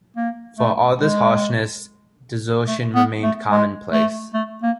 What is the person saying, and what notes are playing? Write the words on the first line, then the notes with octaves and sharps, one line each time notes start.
For all this harshness, desertion remained commonplace.
A#3
A3
G#3
A3
B3
A3
G#3
A3
A3
A#3